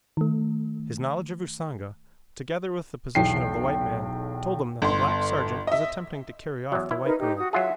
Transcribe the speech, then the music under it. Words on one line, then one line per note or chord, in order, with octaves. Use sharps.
His knowledge of Usanga, together with the position of the white man, told him that the black sergeant was attempting to carry off the white girl.
D#3 A3
B1 E2 G5 C7
G1 C6
D#5 E5
E2 F#3
E4
D#4 A#4 B4
D#4 G4
F#4 D#6
F#3 F4 G#4 E5 F#5